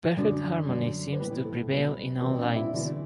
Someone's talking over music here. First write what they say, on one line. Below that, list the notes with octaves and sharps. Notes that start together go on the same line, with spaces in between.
Perfect harmony seems to prevail in all lines.
F#2 D3 F#3 D4
F#2 D3 F#3
C5
A2 E3 G3 B3 B4
A3 A4
C2 B2 F#3 B3 B4
E2 B2 G3 C4 C5
D4 D5
E4 E5
E2 D3 F#3